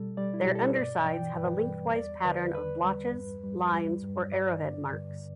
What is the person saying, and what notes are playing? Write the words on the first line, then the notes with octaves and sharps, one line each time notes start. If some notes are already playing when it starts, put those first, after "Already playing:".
Their undersides have a lengthwise pattern of blotches, lines, or arrowhead marks.
Already playing: B2 G3 A4
G3 D5
E4
B2 G4
A4
B4
G2 D5
E3 G5
G2 B4
G3
E2 D5
D3 B4
E2 B4
G3
G2
G3
G3
G2
G2 D5
D3
G2